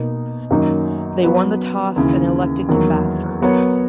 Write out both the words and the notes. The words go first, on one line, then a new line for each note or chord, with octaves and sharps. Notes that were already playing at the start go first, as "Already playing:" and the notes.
They won the toss and elected to bat first.
Already playing: B2 A#3 D#4
F#2 D#3 F#3 A#3 D#4
F#3 B3 F#4 B4
D#2 C#3 E3
E2 D#3 F#3 A#3
F#3 B3 F#4 A#4 C#5